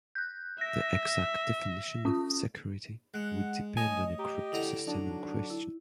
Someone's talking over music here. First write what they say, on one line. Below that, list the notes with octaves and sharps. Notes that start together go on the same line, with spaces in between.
The exact definition of security would depend on the cryptosystem in question.
F#6 G6
E5 A#6
C#4 F4 D#6
G#3 F#5
A3 C#5 D#5 G#5
G4 A#5
D3 E4 F#5 A#5
F#3 D4 D#4
E4